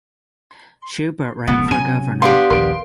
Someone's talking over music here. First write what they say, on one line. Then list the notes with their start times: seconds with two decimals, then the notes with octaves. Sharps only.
Shubert ran for Governor.
1.47 F1 C#2 A#2 B3
1.71 C3 F#3 C#4 G#5 D#7
2.22 B3 D4 G4 F5 C6
2.50 A#1 D#2 A#3 A#4 C6 D7